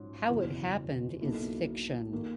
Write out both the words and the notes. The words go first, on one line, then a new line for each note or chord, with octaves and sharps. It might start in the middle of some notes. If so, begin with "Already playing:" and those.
How it happened is fiction.
Already playing: A#1 G#2 F#3 C#4
F#1 E2 B2 F#3
B1 B2 A#3 E4
D#3 A#3